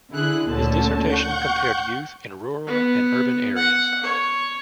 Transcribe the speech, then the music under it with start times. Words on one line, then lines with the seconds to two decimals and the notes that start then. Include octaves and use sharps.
His dissertation compared youth in rural and urban areas.
0.11 D3 E4 G#4 F#6
0.46 D2 A#2 D3 C#4 A5
1.10 F#5 C#6 G6
2.66 B3
3.56 F#5
4.03 C#5